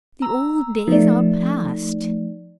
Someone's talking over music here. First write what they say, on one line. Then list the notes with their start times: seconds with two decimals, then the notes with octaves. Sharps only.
The old days are passed.
0.22 A#5 E6
0.88 F3 A3 D#4 D5